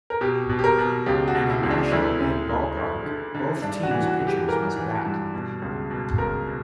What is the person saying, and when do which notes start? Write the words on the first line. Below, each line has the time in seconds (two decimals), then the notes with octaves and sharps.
In a National League ballpark, both teams' pitchers must bat.
0.10 A#4
0.21 B2 G4
0.50 B2
0.59 G4
0.64 A#4
0.78 B2
1.06 C#2 G4
1.28 F#4
1.35 B2
1.50 E4
1.63 C#2
1.70 D4
1.92 D2 E4
2.20 D2
2.49 D2
2.77 D2
3.06 D3
3.34 D3
3.62 G2 D4
3.83 F#4
3.91 E3
4.05 F#4
4.19 E3
4.27 G4
4.48 E3 A#4
4.76 E3
5.05 G2
5.34 B2
5.62 C#2
5.91 B2
6.18 C#2 A#4
6.47 B2